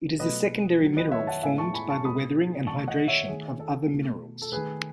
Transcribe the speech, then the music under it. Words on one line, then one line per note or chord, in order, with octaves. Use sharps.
It is a secondary mineral formed by the weathering and hydration of other minerals.
B2 F#3 A3 B4 D#5
D#3 F#3 A3
B4 D#5
C#5 E5
F#5 A5
A2 G#3 B3 E5 G#5
A5 C#6
G#5 B5
A5 C#6
B2 G#3 B3 B5 D#6
D#3 A3 A5 C#6
D#5 F#5
C#5 E5
D#3 A3 G#4
A4
B2 A3
A4
D#3 A3 G#4 B4